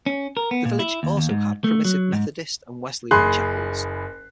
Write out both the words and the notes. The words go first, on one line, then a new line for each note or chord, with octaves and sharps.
The village also had Primitive Methodist and Wesleyan chapels.
C#4
A#4
B3
A#2
E4
D#2
D#2
G#2
A3
F#3
G#2
F#1 G#4 B5 C6 F#6